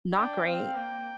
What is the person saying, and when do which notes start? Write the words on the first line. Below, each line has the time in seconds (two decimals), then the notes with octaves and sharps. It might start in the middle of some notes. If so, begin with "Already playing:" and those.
not great
0.14 D4 G5
0.44 C4 F5
0.74 A#3 G5